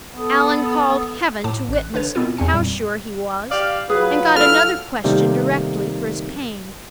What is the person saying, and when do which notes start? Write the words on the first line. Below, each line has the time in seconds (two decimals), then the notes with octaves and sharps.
Allan called Heaven to witness how sure he was; and got another question directly for his pains.
0.17 B3 A4 D#6
1.44 A2 A5 D6
1.69 A1 F#6
1.93 A1 D3 D4 B4 C#5
2.15 B2 B3 C4 E4 F4 A#4
2.37 E2 C4 G#5 C#7
2.53 F2 A#2 G3
3.51 G4 D5 F5
3.89 F#3 F4 G#4 B4
4.36 E4 A4 F6
5.04 C3 D#3 G3 A3 A#3